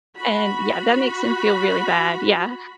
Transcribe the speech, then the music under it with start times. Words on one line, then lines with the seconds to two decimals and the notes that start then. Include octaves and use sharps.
and yeah, that makes him feel really bad, yeah.
0.16 F#4 B5